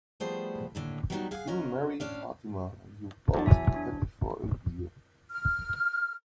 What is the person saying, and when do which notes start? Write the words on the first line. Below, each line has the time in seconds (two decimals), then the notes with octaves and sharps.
You'll marry Fatima, and you'll both be happy for a year.
0.20 F3 G3 A3 B3 G#4 C5
0.75 D#2 A2 D3
1.10 F#3 G3 B3 C4 D#4 F#4
1.31 G#4 F5 F#5 G#5
1.47 C#4 F#4 A#4 D#5
2.00 A2 C#4 D4 F5
3.34 E2 F#3 A5
3.46 E5 G#5
3.76 D4
5.31 F6